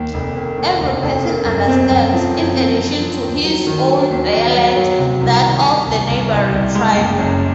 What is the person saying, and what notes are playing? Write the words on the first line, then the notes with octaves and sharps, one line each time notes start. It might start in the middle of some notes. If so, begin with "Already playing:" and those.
Every person understands, in addition to his own dialect, that of the neighboring tribe.
Already playing: D#2 A#3
F1
A#3
D#2
F1
F1
A#3
F#2
C4
F#2
F3
F#2
C4
C4
F3
D#2
F#3
D#3
F#3
D#2
D#2
F#3
F#3
C3
C2
D#3
C2
C2
C2
C2
C2
G#3
F#1
F#2